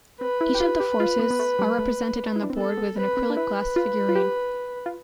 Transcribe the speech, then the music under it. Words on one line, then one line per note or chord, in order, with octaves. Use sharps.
Each of the forces are represented on the board with an acrylic glass figurine.
C4 B4
E4
G4
F4
G4
F4
B3
B3
A3
G3
A3
E4
D4
C4
B3 A4
B3
C4 B4
C4
D4
E4 B4
F4
F4
G4
F4